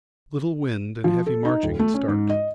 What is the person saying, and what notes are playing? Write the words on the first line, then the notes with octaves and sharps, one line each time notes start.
Little wind and heavy marching at start.
F3
A4
D#4
D#1
A3
C#4
G#2
D#5